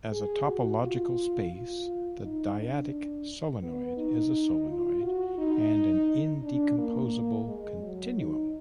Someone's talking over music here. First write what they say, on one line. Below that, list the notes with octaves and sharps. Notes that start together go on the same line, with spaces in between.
As a topological space the dyadic solenoid is a solenoid, and an indecomposable continuum.
G#4
F#4
F4
F4
D#4
D4
B3
D#4
F4
F#4
D#4
D4
A#3
G#3
F#3
D#4